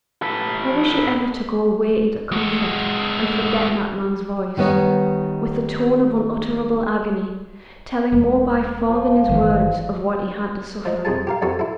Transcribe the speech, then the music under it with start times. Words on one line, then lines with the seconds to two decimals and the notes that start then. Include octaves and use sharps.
How was she ever to go away into comfort and forget that man's voice, with the tone of unutterable agony, telling more by far than his words of what he had to suffer?
0.22 A4 B4
2.32 G#3 F#4
4.57 D#3 G3 B3 D#4 C#5
8.12 E1
8.89 F3
9.29 G1 D#3 E3
10.85 F3 D#5
11.05 C2 F2 G#4 A5
11.27 G4 A#4 F5
11.42 F2 G3 C#4 F#4 A4
11.59 E4 A4